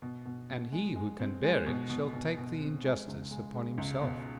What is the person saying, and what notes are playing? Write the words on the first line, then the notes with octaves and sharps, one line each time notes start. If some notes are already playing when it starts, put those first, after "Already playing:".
And he who can bear it, shall take the injustice upon himself!
B2
B2
B2
G#3
G#3
C4
G#3
B2
B2
B2
B2
C4
G#3
C#2
G#3
G#3
C#2
B2